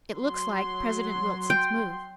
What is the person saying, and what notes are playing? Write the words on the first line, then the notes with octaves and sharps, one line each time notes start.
It looks like President Wilson's move.
F#3 C6
G5